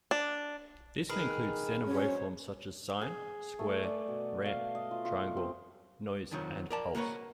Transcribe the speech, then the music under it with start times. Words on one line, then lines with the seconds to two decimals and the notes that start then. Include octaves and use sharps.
These can include standard waveforms such as sine, square, ramp, triangle, noise and pulse.
0.11 D4
1.09 D#3 G#4 A#4 B4
1.87 F#3 G#3 C#4 C5 C#5
3.01 G#4
3.59 A3
3.83 D5
4.08 B2
4.45 F5
4.75 D#5
4.91 F4
5.05 F4
5.37 C4
6.31 F2 D#3 F3 F#3
6.70 A#4 D5 A5
6.95 A#3 F#4 A#4 B4 C#5